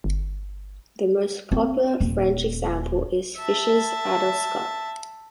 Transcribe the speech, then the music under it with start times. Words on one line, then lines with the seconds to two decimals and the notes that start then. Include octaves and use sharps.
The most popular French example is Fischer's Adelscott.
0.04 G1
1.52 C4
2.00 D#1
3.38 E5 A5